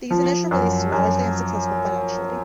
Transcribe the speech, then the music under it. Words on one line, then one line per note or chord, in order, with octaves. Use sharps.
These initial releases were largely unsuccessful financially.
F3
F#2
F#2